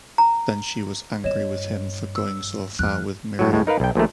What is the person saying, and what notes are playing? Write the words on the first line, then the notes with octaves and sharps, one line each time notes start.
Then she was angry with him for going so far with Miriam.
A#5
G2 C#5 D#5 E7
E6
F2 F6 F#6
A2 F#3
D2 A2 G#3
D#4 A#4 B4 F5
B1 G5
A#1 A#2 D#3 A3